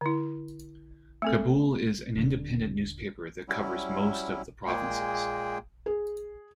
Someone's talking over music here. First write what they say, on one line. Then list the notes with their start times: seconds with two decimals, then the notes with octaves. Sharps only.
Kabul is an independent newspaper that covers most of the provinces.
0.01 D3 E4
1.22 A3 C4 A4
2.15 D#1 D3
3.48 F#3 G3 C#4 E4
4.67 A#2 G#3 A#3 G#4 G5
5.86 G#4